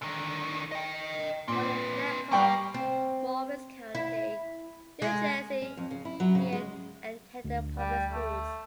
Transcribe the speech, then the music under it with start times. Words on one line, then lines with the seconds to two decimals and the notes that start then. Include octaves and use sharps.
Born in Netcong, Morris County, New Jersey, Meade attended the public schools.
0.02 D3 D#3
0.72 D#5 G5
1.48 A#2 C4 B4
2.32 G3 A#3 G5 C#6
2.74 C4
3.95 E4
5.02 G#3
5.62 C#4
5.77 F2
5.91 C#3
6.05 E4
6.20 F#3
6.35 C#3
6.52 G#3
7.45 D2
7.78 G3
8.12 A3